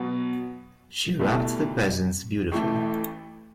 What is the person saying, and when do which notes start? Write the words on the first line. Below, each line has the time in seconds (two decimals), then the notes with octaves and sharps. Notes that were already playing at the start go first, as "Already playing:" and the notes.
She wrapped the presents beautifully.
Already playing: B2 F#3 B3
1.20 C2 B2 A3 E4
2.52 A1 A2 E3 A3 E4